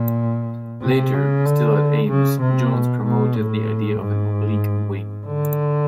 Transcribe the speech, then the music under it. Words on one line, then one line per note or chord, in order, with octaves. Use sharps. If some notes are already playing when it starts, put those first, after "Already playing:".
Later, still at Ames, Jones promoted the idea of an oblique wing.
Already playing: A#2
C3
C#3
D3
C#3
C3
B2
B2
A2
G#2
D3